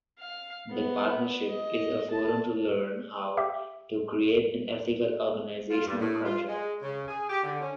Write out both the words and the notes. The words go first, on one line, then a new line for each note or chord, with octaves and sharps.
The partnership is a forum to learn how to create an ethical organizational culture.
F5
B3
D#5
A5
G4 E5 F5
F4
G2
A2
F4
G#3
C#3
G#4
G4
D3
C#4